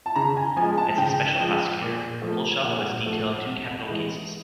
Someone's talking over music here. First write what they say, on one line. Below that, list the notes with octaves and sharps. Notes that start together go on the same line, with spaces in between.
As a special prosecutor, Hulshof was detailed to capital cases.
A5
C#3 A#5
G#5
F3 G#5
G#3
A5
C#3 G5
F3 G#3
A#2
F3 A3
A#2 F#5
F3 A3
C3
E3 G#3